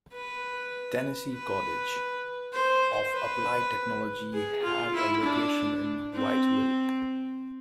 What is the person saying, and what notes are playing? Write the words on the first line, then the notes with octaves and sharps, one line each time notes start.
Tennessee Colleges of Applied Technology has a location in Whiteville.
B4
B4
C5
B4
G#4
F4
E4
D4
C4